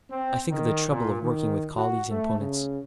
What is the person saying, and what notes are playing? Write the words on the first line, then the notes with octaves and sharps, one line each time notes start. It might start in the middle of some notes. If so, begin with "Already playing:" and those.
I think of the trouble of working with colleagues and opponents.
C4
D#3
A#2
D#3
F#4
A3
C#3